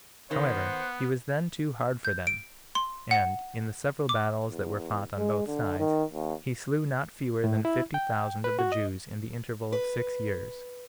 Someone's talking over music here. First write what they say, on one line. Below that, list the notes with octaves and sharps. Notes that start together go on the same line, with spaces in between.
However, he was then too hard for them; and, in the several battles that were fought on both sides, he slew not fewer than fifty thousand of the Jews in the interval of six years.
D#3 B3 C5 F#5
G6
D7
C6
F#5
D6
E2
G#3
D3
D#3
D#2
A2
E4
G5
B4
F#4
D#5
B4